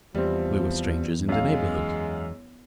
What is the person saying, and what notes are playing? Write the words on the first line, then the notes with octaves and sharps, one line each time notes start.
We were strangers in the neighbourhood.
E2 F3 G3 C4
F#2 G#3 F5